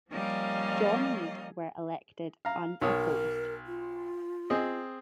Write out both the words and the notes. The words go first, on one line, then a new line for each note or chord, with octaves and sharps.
John Meade were elected unopposed.
F3 G3 A#3 C#4 D#5 F5
F5 A#5
B1 A#4 C#5 D#6
F4
C4 G#4 D#5